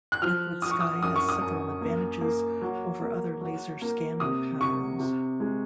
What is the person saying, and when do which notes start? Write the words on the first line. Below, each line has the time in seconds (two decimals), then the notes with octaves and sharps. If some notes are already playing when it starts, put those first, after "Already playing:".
Liquid sky has several advantages over other laser scanning patterns.
0.12 F#6
0.22 F3 F6
0.62 F3 D#6
0.71 C#6
0.80 D#6
1.02 F#2 D#6
1.16 C#6
1.28 D#6
1.41 F#2
1.81 A#3
2.21 A#3
2.62 F#3
3.01 A#3
3.41 F#3
3.81 A#3
4.20 C3 D#6
4.61 C3 C#6
5.00 C3
5.40 G#3